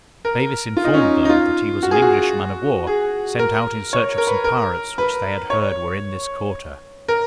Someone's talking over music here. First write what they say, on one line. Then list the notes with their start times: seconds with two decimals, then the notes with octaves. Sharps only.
Davis informed them, that he was an English man-of-war, sent out in search of some pirates which they had heard were in this quarter.
0.25 A#4
0.77 F4
0.85 D#4
0.94 C#4
1.01 D#4
1.25 D#4
1.29 F4
1.83 F#4
1.91 G#4
2.02 F#4
2.87 G#4
3.39 A#4
3.93 C#5
4.18 A#4
4.27 B4
4.44 A#4
4.98 B4
5.50 C#5
7.08 A#4